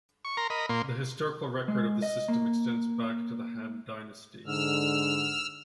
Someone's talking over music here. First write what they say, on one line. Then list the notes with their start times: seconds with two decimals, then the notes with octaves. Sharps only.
The historical record of the system extends back to the Han Dynasty.
0.25 C#6
0.37 A#4 A#5 C6
0.50 A#4 D#5 B5
0.69 A#2 A#3 C6
1.68 G#3
2.02 D#5
2.28 A#3
4.46 G#2 D3 E6 F6